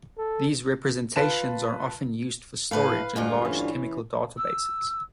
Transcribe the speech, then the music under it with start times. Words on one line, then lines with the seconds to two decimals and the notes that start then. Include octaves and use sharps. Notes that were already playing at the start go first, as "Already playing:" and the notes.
These representations are often used for storage in large chemical databases.
0.18 A4
1.16 F4 B4 A5 E7
2.71 A2 E3 A3 B4 F5
3.16 D2 G2 G#3 F4
3.45 E3 C#4
4.37 E6